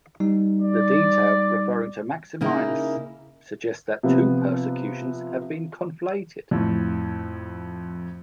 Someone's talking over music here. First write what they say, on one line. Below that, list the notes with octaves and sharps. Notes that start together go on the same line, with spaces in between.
The detail referring to Maximinus suggests that two persecutions have been conflated.
G3 D#4
D5
C#3 A#3 D#4 E4
C3 F3 B3
F2 A2